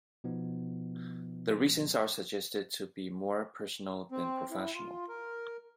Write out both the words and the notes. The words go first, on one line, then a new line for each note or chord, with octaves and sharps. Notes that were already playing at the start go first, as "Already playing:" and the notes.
The reasons are suggested to be more personal than professional.
B2 F3 B3 D#4
C4
E4
F4
A#4